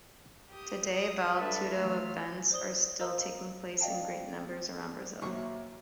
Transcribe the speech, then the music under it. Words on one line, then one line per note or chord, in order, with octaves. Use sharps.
Today, Vale Tudo events are still taking place in great numbers around Brazil.
G4 D#6
D#6
G3 D4 A4 B4 E5 A5
E3 A3 F4 F6
C5 D5 D#6 G7
A#4 C5 D#5 F5 A#5 E6
D5 D#5 F5 G5 A5
D#2 B2 F#3 C5 E5 C#6